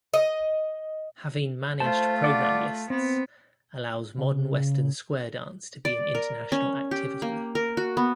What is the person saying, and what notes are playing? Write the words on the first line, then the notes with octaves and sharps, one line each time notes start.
Having managed program lists allows modern Western square dance to be an international activity.
D#5
A3 F4 C5 A5
D5 F#5 D6
B3 C4
C#3
D5
A#4
C#4
G4
A#3
A#4
F#4
B3